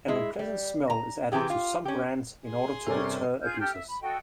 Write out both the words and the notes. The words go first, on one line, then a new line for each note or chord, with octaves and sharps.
An unpleasant smell is added to some brands in order to deter abusers.
G#3 E4
G3
A#5
C3 E3 G4 G#4
F4
C#4 G4
G#4 C6
G2 C3 C#4 A4 A#4 D5
F4 G#4 F6 G6
G4 A4 G5 F6
E5
B5
F#4 A4 D#5 G5